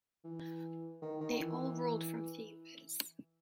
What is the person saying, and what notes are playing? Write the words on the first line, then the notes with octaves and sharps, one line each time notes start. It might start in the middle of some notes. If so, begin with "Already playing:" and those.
They all ruled from Thebes.
E3
D#3
D#3
E3